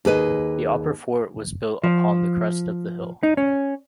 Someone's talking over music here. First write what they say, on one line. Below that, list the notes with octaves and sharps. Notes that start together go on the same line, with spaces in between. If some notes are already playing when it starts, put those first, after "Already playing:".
The upper fort was built upon the crest of the hill.
D#2 G#4 B4 D#5
F3
D#4
C#4